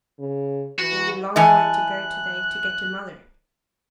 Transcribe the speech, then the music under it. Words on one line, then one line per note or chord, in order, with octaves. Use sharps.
"We long way to go to-day to get to Mother."
C#3
E3 F#4
E3 D#5 G#5 A5 F#6